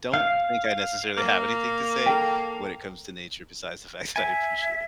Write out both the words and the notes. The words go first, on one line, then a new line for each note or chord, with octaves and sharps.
don't think I necessarily have anything to say when it comes to nature besides the fact that I appreciate it.
F5
A#3
A4 G5
E5 G#5